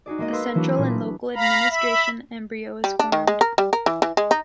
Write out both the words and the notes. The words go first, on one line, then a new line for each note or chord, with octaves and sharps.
A central and local administration embryo is formed.
D#4 F#4 G#4 D5
G#3 A#3 D#5
A#4 B4 F5 C6 E6 G#6
E3 F#3 A#3 D4 E4 F#4
A#2 A#3 G#4
B4
F5 A#5 B5
E5 B5
G3
D4
D#3
G#3
A#4
G3
A#4
E3
E3
G#3
D#4